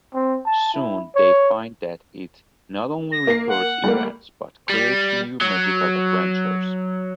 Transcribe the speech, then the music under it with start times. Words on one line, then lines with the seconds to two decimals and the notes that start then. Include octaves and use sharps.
Soon they find that it not only records events, but creates new magical adventures.
0.14 C4
0.46 A5
0.74 E4
1.15 C#5
3.12 A#6
3.27 A#3 C7
3.48 F#5
3.84 G3 A3 A#3
4.69 G3
5.41 F#3